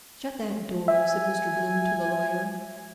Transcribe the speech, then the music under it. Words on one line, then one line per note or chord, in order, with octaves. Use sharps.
"Shut that door," said Mr. Bloom to the lawyer.
E5 G#5